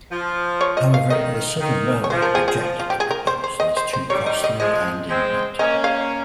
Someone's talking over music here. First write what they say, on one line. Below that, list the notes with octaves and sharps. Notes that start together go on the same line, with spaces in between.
However, the Southern Railway rejected the proposal as too costly and impractical.
F3
C#5
D#5
F5
D#3 D#5
D#3
C#5
F3 C5
A#4
G#4
G#4
F3
F4
G4
G#4
A#4
C5
C5
D#5
C5
C5
D#3 G3 C#5
D#5
D#5
F3 G#3 D#5
G#3 C4
A#3 C#4 D#5
F5